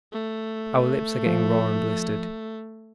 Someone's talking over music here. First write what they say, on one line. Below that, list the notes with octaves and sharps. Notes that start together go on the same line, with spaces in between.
Our lips are getting raw and blistered.
A3
F3